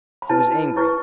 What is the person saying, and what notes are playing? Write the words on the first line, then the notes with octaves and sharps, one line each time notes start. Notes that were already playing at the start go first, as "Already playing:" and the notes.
He was angry.
B5
E4 B4 A5
E4 B4 C#6